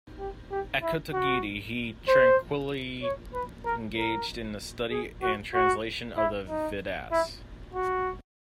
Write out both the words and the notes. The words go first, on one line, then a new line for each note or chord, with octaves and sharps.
At Kotagiri he tranquilly engaged in the study and translation of the Vedas.
G4
G4
E4
F#4
C5
C#5
B4
A#4
A#4
G#4
F#4
F#4
E4
D#4
E4
F#4